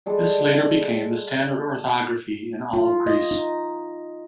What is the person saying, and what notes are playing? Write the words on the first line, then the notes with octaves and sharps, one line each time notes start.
This later became the standard orthography in all of Greece.
G3 G#3 A4
F4
D#5
D#4